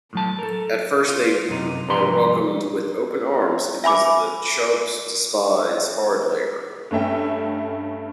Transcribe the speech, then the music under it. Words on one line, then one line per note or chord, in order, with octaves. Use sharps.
At first they are welcomed with open arms because the Chubs despise hard labor.
A2 F#3 A5
A4 A#4
F4
F#2 C3 D#4
C2 G#2 F3 G4 A#5 C6
E5 G#5 B5 D6
G2 A3 C#4 E5 G5